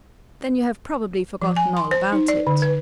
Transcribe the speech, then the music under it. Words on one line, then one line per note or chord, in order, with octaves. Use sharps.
"Then you have probably forgotten all about it."
F3
G#5
C6
C5
D#4
D5
D3
B4